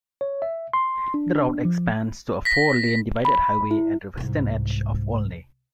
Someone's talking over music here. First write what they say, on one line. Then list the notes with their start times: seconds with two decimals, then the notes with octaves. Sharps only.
The route expands to a four-lane divided highway at the western edge of Olney.
0.21 C#5
0.42 E5
0.73 C6
1.14 D4
1.65 F3
2.45 A#6 B6
3.25 B5
3.71 E4
4.17 C2 G#2